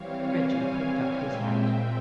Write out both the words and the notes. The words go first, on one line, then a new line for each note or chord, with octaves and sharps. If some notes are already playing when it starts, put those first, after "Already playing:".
Reggie picked up his hat.
Already playing: E3 G3 C4 C#5 F5
F5 G#5
F5 G#5
A#2 G#3 C4 E5 G5